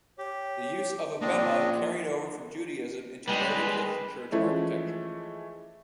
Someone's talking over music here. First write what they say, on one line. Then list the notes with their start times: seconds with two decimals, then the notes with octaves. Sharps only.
The use of a bema carried over from Judaism into early Christian church architecture.
0.19 G4 C#5
1.22 F3 A#3 C4 D4 D5 D#5
3.28 G3 G#3 B4
4.32 E3 F3 G#3 A3 C#4 E4